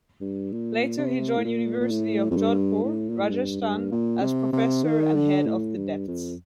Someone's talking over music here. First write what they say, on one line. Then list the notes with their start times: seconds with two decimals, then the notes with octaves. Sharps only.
Later he joined University of Jodhpur, Rajasthan as Professor and Head of the Deptt.
0.21 G2
0.52 A#2
0.98 C3
1.37 A2
1.44 A#2
1.80 A#2
1.91 A2
2.31 F2
2.37 G2
2.83 A2
3.10 A#2
3.20 A2
3.30 G2
3.61 G2
3.92 A#2
4.22 C3
4.53 C3
4.84 D#3
5.15 D3
5.46 A2
5.76 G2
6.07 F2